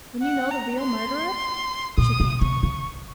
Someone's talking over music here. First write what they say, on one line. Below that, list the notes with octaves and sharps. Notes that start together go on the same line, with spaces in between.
"Then you know the real murderer?" she panted.
F#5
A#5
C6
A#2 D#6
C3
C3 C#6
C#3